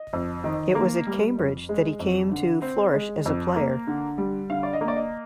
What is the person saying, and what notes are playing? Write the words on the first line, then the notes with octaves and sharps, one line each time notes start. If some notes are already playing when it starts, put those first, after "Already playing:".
It was at Cambridge that he came to flourish as a player.
Already playing: D#5
F2
D#3
A#3
G3
F2
G#3
F2
D3
C4
G#3
F2
A#3
D3
G3
D3 F5
D5
D#5
A#3
D5
D#5